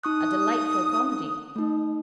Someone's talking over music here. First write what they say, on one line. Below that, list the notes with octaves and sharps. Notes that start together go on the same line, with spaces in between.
A delightful comedy.
D#4 C#6 D#6 F#6
A3 D#4